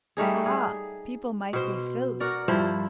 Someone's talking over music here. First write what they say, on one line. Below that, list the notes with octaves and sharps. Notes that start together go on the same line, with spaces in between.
Ah! people might be sylphs.
G3 A3 D#4 G#4
G#4
B2 C5
F#4 A#4 D5
G2 F3 E4 C5